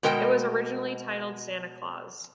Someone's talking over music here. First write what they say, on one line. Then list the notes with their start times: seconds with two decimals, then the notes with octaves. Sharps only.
It was originally titled "Santa Claus".
0.03 B2 G#3 A#4 D#5 G5